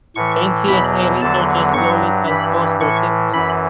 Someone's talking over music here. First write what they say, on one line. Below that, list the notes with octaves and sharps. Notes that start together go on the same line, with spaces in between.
NCSA researchers slowly transpose their tips.
A2 E3 C#6
E2 B2 F#3 B5
E2 D3 F#3 A5
G2 F#3 C#6
G2 E3 B5
A2 E3 C#6
F#2 E3 B5